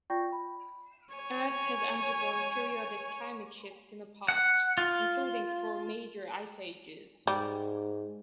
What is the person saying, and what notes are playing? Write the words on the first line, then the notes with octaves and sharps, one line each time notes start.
Earth has undergone periodic climate shifts in the past, including four major ice ages.
F4 D5 G5 C#6 G6 A#6
B5
C#5 G#5
F#5
F4
G#2 G3